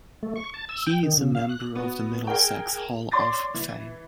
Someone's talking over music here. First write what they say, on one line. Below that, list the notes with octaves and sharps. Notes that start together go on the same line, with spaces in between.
He is a member of the Middlesex Hall of Fame.
A3
C#6
A5
E6
G5
D#3
C#3
F5
F#6
B3 F#4
G#4 A#4 G5
C#5 D5 C6 D6 A6 A#6
E3